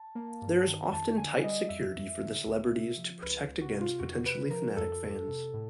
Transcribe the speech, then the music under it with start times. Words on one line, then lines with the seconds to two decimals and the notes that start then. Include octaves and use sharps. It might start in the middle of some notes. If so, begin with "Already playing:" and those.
There is often tight security for the celebrities to protect against potentially fanatic fans.
Already playing: A5
0.15 A#3
0.42 G2
0.67 D#3
0.92 F2 A5
1.18 D3 G#5
1.44 G3 D#5
1.69 F2 E5
1.96 F2
2.21 D3
2.46 C#2
2.72 C3
2.97 F3
3.22 C#2 B4
3.49 C#2
3.61 F#4
3.74 C3
3.81 F4
3.99 F2 F#4
4.26 C3 B4
4.50 F3 A#4
4.76 F2 A4
5.02 F2
5.28 C3
5.54 A2